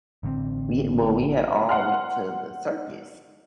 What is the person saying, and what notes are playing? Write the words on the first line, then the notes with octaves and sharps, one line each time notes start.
we well, we had all went to the circus.
A1 D3 A#3 C4
F#5 C6 F6